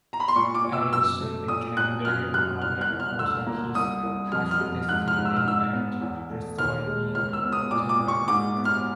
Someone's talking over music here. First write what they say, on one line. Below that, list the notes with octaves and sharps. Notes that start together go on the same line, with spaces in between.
Allen soon became very unpopular because of his harsh discipline and resigned in October.
A#5
B5
C6
A#2 C#6
D6
A#2
E6
F#2 E6
A3
A#2 D#6
A#2 F#6
F#2 F6
F#2 F#6
C2 F6
F#6
C2
F6
D2 E6
A#3
C2 D#6
C2
F2 F6
F6
F2
G#2 F#6
F6
G#2
E6
F6
G#2 E6
B3
E2
A3
D#2 F6
G#3
C#2 F6
E6
B3
D#6
A#2 D6
D6
A#2
C#6
G#2 D6
B3
F6